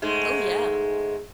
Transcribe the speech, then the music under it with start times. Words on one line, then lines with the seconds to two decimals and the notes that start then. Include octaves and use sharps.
Oh, yeah.
0.02 G#2 G#3 A3